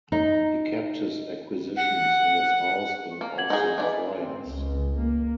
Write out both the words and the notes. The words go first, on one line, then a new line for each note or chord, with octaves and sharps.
He kept his acquisitions in his house in Austin Friars.
D#4
F#5
A#3
F#5 G#6 F#7
D#4 G#4
D#5
E3 F3 D4
C4
C#2
A#3